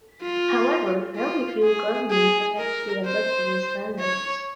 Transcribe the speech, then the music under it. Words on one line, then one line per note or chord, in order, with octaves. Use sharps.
However, very few governments have actually adopted the standards.
F4
F4
G#4
G#4
A#4
C5
C#5